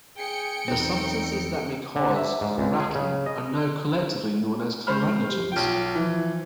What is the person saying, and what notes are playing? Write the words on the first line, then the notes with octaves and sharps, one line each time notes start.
The substances that may cause chloracne are now collectively known as chloracnegens.
G#4 G5 C#7 D7
E2 C4 D#4 A4
D3
E5
G#2
C#2
G#4
C#3
D#5
G#3 C5 B5 F6
G4
B1 F4 G5
E3 F3